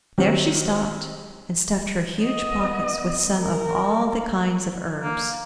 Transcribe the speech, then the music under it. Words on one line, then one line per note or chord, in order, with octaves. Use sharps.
There she stopped, and stuffed her huge pockets with some of all the kinds of herbs.
D#3 F#3 G3 C4 F#4 G4
B3 D#5
A#4
A#3